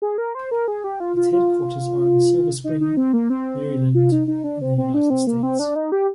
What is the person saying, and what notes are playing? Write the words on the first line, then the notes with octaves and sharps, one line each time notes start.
Its headquarters are in Silver Spring, Maryland in the United States.
G#4
A#4
C5
A#4
G#4
G4
F4
F4
F4
D#4
D#4
C4
A#3
C4
F4
D#4
D#4
D4
C4
C4
D4
C4
A#3
C4
D4
D#4
G4